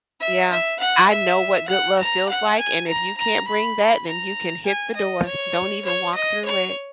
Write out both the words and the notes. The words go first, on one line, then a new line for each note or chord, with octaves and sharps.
yeah, I know what good love feels like and if you can't bring that, then you can hit the door. Don't even walk through it.
E5
E5
F#5
E5
F#5
A#5
F#5
G#5
A#5
A#5
B5
A#5
G#5
D#5
C#5
C#5
D#5
C#5